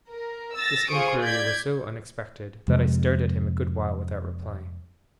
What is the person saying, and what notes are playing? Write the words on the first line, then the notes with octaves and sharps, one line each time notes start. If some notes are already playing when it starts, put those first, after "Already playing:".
This inquiry was so unexpected that I stared at him a good while without replying.
A#4
E6 A6 A#6
F4 G#4 C5 C#6 D#6 D7
D5 G6 G#6 B6
F2 C3 G#3